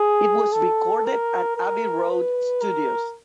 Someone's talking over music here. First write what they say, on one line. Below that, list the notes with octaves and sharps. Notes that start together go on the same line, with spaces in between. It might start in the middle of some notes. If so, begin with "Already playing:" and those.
It was recorded at Abbey Road Studios.
Already playing: G#4
A4
A#4
A#4
B4
A#4